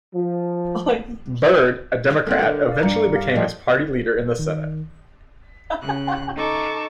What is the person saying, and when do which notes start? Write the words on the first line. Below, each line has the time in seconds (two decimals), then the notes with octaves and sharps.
Byrd, a Democrat, eventually became his party leader in the Senate.
0.13 F3
2.27 A#3 C4 A4 A#4 F#5
2.43 D3
2.68 D5 F5
2.83 G2 A#5 C#7
3.12 G4 F5
3.35 A2 C#3 F3 D5 D#5 G5
4.39 D#3
5.82 C#3 F#6
6.36 D#4 A4 A5 C#6 D6